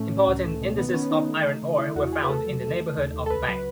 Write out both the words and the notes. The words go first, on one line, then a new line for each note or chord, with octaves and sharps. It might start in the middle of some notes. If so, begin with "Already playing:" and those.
Important indices of iron ore were found in the neighborhood of Bang.
Already playing: A2 A3 C#4
A2
C#2
A3
B2
D#3 B3
B3
D#3 C#4
D#3 D#4
A3
A3
C#3
A3 E4
E2 F#4
E2 G#4
B4
A3 A4
F#3
A3
A3
D#2
D#2
A4
C#2 B4
F#3 B4